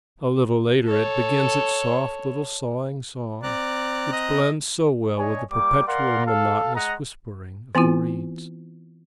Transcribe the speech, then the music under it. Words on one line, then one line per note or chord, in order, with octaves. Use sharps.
A little later it begins its soft little sawing song, which blends so well with the perpetual, monotonous whispering of the reeds.
A4 C#5
C4 D5 A#5 F#6
D#5
D4 C#5 D#5 G#5
G3 A#3 D6
A#4 D5 F5 F#5 C6
A4 F5
G#3 D#5 F#5 A#5
E3 B3 C4 E4 F4